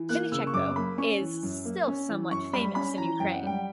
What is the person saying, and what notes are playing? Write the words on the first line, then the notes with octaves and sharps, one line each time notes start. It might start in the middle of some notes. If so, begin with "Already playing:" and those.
Vynnychenko is still somewhat famous in Ukraine.
Already playing: E3
A#3 F#6
C#3 E6
C#6
F#2 D6
A#3 B5
C#4 C#6
E3
F#2
A#3
C#4
E3
F#2 C#6
G3 B5
C#4 B5
E3 A#5
F#2 G5
F#5
G3 G5